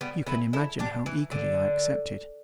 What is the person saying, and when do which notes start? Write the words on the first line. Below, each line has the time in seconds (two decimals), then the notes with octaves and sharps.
You can imagine how eagerly I accepted.
0.01 G3 B3
0.26 B3 E4
0.53 E4 A4
0.79 D4 G4
1.06 E3
1.31 D3